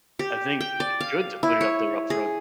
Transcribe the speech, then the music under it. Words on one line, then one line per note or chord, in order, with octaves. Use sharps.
I think it's good to put it up there upfront.
G4
G5
D5
F5
E4
C#5
G#4